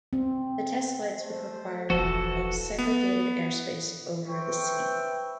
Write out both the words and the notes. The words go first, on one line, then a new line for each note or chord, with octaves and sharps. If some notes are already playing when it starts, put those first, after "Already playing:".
The test flights would require of segregated airspace over the sea.
C4
A3 C5
E1 A1 E3 F3 F#4 A4
B3
B4 C5 E5 G5 C#6